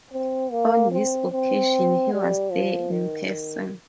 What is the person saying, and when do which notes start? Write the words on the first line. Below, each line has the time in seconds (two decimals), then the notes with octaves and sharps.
On this occasion he was there in person.
0.13 C4
0.52 A#3
0.91 C4
1.31 C4
2.12 G3
2.52 F3
2.91 D#3